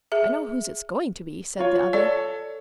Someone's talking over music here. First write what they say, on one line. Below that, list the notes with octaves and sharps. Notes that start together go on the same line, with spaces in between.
"I know whose it's going to be," said the other.
G#4 E5
F4 C#5
A4 C#5 D5